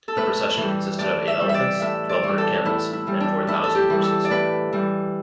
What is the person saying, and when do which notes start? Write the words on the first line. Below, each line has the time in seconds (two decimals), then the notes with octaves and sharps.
The procession consisted of eight elephants, twelve hundred camels, and four thousand horses.
0.08 A4
0.17 A2 B4
0.57 E3 G3
0.99 A2 D5
1.27 E5
1.40 E3 G3
1.49 E5
1.54 D5
1.81 A2 E5
2.09 D5
2.23 E3 G3
2.38 A4
2.65 A2 E4
2.93 E4
3.07 E3 G3
3.20 D4
3.47 A2 E4
3.64 A4
3.75 G4
3.90 E3 G3
4.04 A4
4.25 D5
4.30 A2 B4
4.73 E3 G3